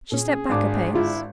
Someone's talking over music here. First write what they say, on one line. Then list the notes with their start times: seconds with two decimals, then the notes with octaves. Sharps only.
She stepped back a pace.
0.12 A#2 C#4 G#4
0.49 G#1 G#2 D4 D6
0.94 G1 G#3 E4 F4